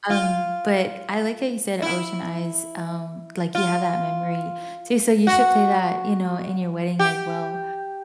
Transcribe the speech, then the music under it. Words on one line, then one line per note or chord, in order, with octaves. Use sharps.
Um, but I like how you said, Ocean Eyes. Um, like, you have that memory. So so you should play that, you know, in your wedding as well.
F4
E4
F4
F#4
G4